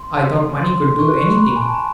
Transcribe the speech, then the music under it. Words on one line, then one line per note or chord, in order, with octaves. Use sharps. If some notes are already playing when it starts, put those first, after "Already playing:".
I thought money could do anything.
Already playing: C6
C6
C6
C6
C#6
F#6
C#6
C6
B5
G#5
A5
A#5